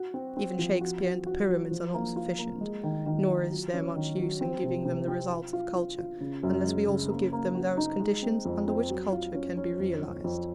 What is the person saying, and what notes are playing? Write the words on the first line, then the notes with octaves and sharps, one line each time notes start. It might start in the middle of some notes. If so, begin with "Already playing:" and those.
Even Shakespeare and the Pyramids are not sufficient; nor is there much use in giving them the results of culture, unless we also give them those conditions under which culture can be realised.
Already playing: F#4
C4
C4
F3
F#4
F#4
F#4
F#3
F3
A#3
F4
A#3
G#3
D#3
D#3
F4
F#3
C#4
D#3
F#3
C4
C3
C3
C4
F4
F4
F4
F4
C#3
F#2
G#3
C#3
A#3
A#3
F#4
D#4
G#3
C4
F2
C4
F#3
F4
C#4
C#4
F2
F2
F2